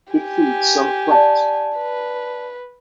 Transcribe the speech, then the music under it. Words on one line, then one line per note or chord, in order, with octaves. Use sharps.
It feeds on plankton.
G4 G#5
D5 A5
B4